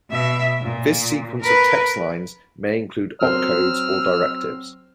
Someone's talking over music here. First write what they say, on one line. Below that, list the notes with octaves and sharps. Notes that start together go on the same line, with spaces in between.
This sequence of text lines may include opcodes or directives.
B2 E5
A#2
A#4 B4
F#3 C4 C5 E6 F6